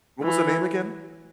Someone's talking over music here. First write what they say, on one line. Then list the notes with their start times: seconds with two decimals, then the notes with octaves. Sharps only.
What was the name again?
0.23 E3